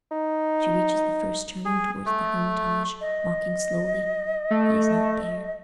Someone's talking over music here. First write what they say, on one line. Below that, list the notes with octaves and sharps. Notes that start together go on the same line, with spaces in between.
She reaches the first turning towards the Hermitage, walking slowly--he is not there.
D#4
G#4
A3
D#5
A3